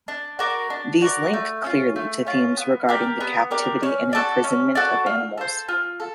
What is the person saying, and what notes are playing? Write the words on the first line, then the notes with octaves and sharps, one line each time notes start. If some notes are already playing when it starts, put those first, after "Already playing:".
These link clearly to themes regarding the captivity and imprisonment of animals.
D4
F#4 A#4 D5
D4
F#4 A#4 D5
A3
C#4 F4
A3
C#4 F4
B3
D4 G4 A#4
B3
D4 G4 A#4
C#4
F#4 A4 D5
C#4
F#4 A4 D5
F4
A4 C5
F4
A4